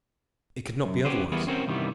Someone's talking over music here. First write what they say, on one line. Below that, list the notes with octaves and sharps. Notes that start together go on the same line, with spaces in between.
It could not be otherwise.
F#2
C#4 D4 F#4 G4 B4 C5
E3 G3 B3 F#4 G#4 A#4
C4 C#4 F#4 A#4 C5
G2 C3 D#3 E3 G3 B3